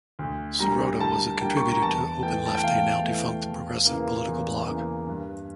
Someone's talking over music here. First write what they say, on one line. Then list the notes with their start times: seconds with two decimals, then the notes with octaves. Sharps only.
Sirota was a contributor to OpenLeft, a now-defunct progressive political blog.
0.19 D2
0.59 D3 G3 A#3 A#5
1.00 D2 A5
1.41 D3 G3 A#3 G5
1.57 C#6
1.69 A#5
1.82 E2 A5
2.22 E3 A3 G5
2.46 A5
2.55 G5
2.63 E2 F5
3.04 E3 A3
3.45 E2
3.86 C#3 E3 A#3
4.26 E2
4.66 C#3 E3 A#3
5.07 G2